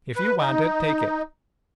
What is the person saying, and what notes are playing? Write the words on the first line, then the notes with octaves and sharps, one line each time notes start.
If you want it, take it.
B4
D#4